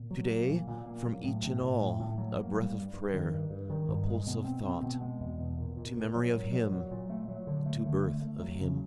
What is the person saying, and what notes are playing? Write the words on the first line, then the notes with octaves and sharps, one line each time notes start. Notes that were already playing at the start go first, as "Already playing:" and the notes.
To-day, from each and all, a breath of prayer--a pulse of thought, To memory of Him--to birth of Him.
Already playing: A#2
F#3
A#3
A#2
A#2
A#3
F#3
A2
A2
A2
A2
A2
F#3
A#3
G3
G2
G2
D#3
G2
G2
D#3
G2
G#3
B2
C4
C4
B2
G#3
E2
B2
A#2
A#2
A#2
F#3
A#2
F#3
F#3
A#2
A3
F#3
D3
A3
D3
A3
A3
F#3
C#3